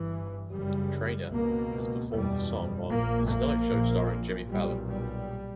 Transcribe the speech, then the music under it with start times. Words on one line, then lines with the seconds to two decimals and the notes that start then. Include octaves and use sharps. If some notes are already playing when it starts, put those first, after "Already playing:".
Trainor has performed the song on "The Tonight Show Starring Jimmy Fallon".
Already playing: G1 G2 E3
0.53 F#1 F#2 C#3 G3
1.32 C#2 B2 A#3
2.11 F#1 E2 B2 G3
2.91 A#1 A#2 A#3
3.30 A#3
3.70 A#1 A#2
4.50 B1 A#2 G3
4.90 G3